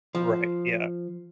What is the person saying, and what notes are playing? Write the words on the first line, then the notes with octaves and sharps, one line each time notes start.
Right, yeah.
F3